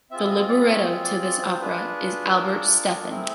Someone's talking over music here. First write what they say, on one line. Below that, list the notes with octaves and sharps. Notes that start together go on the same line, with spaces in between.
The libretto to this opera is by Albert Steffen.
C4 F4 G#4 E5
D#5
D5
C#5
D5
D5
C5
D4 F4 G#4 B4
A#4
A4
A3 C4 E4 G#4 A#4